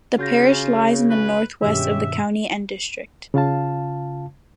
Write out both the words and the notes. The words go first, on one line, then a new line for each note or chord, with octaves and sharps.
The parish lies in the north west of the county and district.
C#3 F4 F#4 G6 A#6
B4
G2 B2 D#3 G#3 C#4 G4 E5
C#3 F4 F5 A5